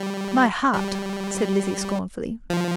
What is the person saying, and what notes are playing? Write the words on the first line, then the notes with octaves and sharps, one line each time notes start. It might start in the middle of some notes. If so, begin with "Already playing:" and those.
"My heart!" said Lizzie scornfully.
Already playing: G3
G3
F3